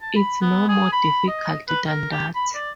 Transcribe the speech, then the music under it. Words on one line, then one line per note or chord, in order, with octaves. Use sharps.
It's no more difficult than that!
A5
B5
B3
G#4
B5
D#5
B4
A#4
G4
B5
D5